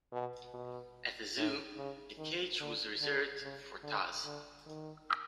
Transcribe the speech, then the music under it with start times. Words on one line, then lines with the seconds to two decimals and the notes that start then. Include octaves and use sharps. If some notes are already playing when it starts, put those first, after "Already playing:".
At a zoo, a cage was reserved for Taz.
0.12 B2
0.53 B2
1.36 A2
1.77 C#3
2.18 D#3
2.60 D3
3.01 D3
3.42 C#3
3.83 D3
4.24 D3
4.66 D#3